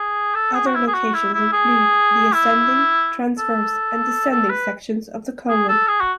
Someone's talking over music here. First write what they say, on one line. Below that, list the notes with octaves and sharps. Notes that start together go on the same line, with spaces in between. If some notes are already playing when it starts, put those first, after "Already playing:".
Other locations include the ascending, transverse, and descending sections of the colon.
Already playing: G#4
A4
G#4
F#4
E4
G#4
F#4
E4
E4
G#4
E4
A4
A4
B4
G#4
A4
G#4
F#4